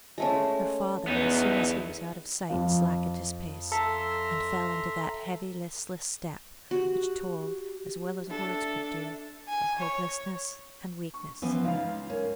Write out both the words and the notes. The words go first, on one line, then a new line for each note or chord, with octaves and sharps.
Her father, as soon as he was out of sight, slackened his pace, and fell into that heavy listless step, which told as well as words could do, of hopelessness and weakness.
G#3 A3 C#4
E2 B3 D#4
F2 F3 F5
A4 E5 A#5 C6
F#4 G4
D4 A4 E5
G#5
C#5
C#6
E3 F3 B3 C#4
C#2 D#4 F4 F5
C#4 A#4